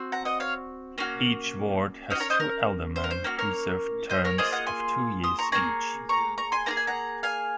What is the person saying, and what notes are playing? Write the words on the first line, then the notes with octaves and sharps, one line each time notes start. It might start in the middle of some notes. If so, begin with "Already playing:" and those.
Each Ward has two alderman who serve terms of two years each.
Already playing: C4 F#4
F#5 A#5
D#5 F#5
C#5 F5
A#3 C#4 F#4
C#4 F#4 C5 D#5
A#4 C#5
C5 D#5
A#4
C5
A#4
C5
A#3 C#4 F#4
A#4 C#5
C5 D#5
A#4 C#5
A#3 F4 G#4 C5 D#5
D#5 F#5
G#5 C6
C6 D#6
A#5 C#6
A#3 D#4 G#4 A#5 C#6
A#5 C#6
A#5 C#6
G#5 C6
A#3 F4 G#4 A#5
G#5
F#5 A#5
F5 G#5